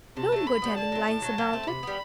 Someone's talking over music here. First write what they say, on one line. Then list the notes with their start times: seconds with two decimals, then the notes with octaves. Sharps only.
Don't go telling lies about it.
0.17 C3 A5
0.32 F#3 A3
0.47 A2 B5
0.62 G3 B3
0.77 D3 A5
0.92 F#3 C4
1.07 A2
1.22 F#3 A3
1.38 F#3
1.53 A3 C4
1.67 C3 B5
1.83 G3 B3